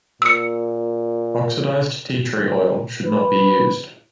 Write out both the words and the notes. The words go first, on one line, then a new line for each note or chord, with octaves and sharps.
Oxidized tea tree oil should not be used.
A#2 E6 C#7
B4